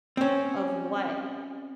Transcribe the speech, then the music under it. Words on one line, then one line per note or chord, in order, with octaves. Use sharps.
of what
C4 C#4